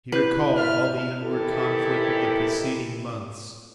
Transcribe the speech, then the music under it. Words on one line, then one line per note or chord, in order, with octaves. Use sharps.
He recalled all the inward conflict of the preceding months.
D4 E4 B4 C5 G6
D5 E5 F5 F6
D#2 D#3 E3 E4 G4 A4